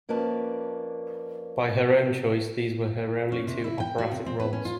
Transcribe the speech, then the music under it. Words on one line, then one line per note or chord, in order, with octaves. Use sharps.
By her own choice, these were her only two operatic roles.
F2 A#3 C#4 B4 D5 A5
C#4
C3
E4
G5
F#4
C3
C4
B4
C#4
F4